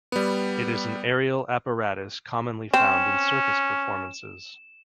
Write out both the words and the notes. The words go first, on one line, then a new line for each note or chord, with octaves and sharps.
It is an aerial apparatus commonly found in circus performances.
G3 B3
C4 C#4 E7